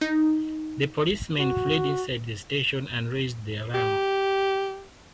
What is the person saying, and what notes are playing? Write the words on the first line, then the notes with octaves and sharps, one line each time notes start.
The policemen fled inside the station and raised the alarm.
D#4
F#4
G4